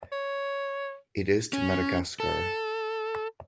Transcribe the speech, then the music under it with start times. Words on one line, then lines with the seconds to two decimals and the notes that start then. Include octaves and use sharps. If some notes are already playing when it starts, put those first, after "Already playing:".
It is to Madagascar.
0.12 C#5
1.53 C#4
2.20 A4